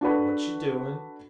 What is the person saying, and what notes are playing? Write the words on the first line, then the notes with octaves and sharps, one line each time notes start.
"What you doin'?"
D4 F#4 A4 B4